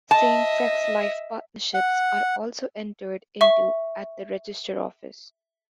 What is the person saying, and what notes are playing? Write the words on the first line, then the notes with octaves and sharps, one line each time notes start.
Same sex "life partnerships" are also entered into at the register office.
D#5 E5 A5
F#5
E5 C#6